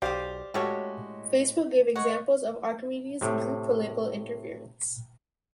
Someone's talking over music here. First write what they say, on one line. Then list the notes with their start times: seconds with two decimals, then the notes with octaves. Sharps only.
Facebook gave examples of Archimedes Group political interference.
0.02 B1 G4 C5 D5 F5 D#6
0.54 A2 G#3 C#4 F#4 G4 A4 C#5
1.96 C#5 D#5 F#5
3.21 A2 C3